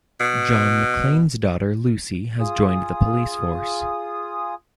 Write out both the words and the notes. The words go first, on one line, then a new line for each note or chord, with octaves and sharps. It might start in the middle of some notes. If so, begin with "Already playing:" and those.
John McClane's daughter Lucy has joined the police force.
B2
F4 G#4 D#6